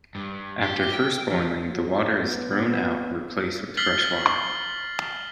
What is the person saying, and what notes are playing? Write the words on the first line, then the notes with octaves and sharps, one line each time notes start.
After first boiling, the water is thrown out and replaced with fresh water.
G2
G4
G5
F3
F#3
B3
F6 A6 B6 C7 F#7 G7